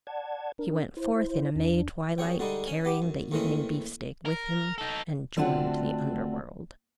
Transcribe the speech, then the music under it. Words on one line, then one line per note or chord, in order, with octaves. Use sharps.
He went forth in a May twilight, carrying the evening beefsteak with him, and joined the underworld.
D5 F#5 A5 G#6
D4 A#4
E4 C5
E2 D4
F#2 G#4 C#5 G5
D3 G3 G#3 D4 D#4
C#4 G#5
B3 G4 D6
F#2
D#2 A2 D#3 E3 G#3 C#4
A#4
D#4 A4
D3 A3 C4 D4 F4 F#4